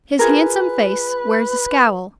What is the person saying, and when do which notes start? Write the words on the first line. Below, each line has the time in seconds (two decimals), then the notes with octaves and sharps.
His handsome face wears a "scowl."
0.19 F4 G#4 A#4 B4